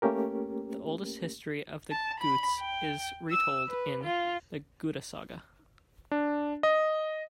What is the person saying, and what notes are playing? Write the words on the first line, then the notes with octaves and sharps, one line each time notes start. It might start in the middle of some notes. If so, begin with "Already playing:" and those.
The oldest history of the Gutes is retold in the "Gutasaga".
A3 A#3 C#4 G4 A#4
A5
B5
G5
E6
B4
F4
D4
D#5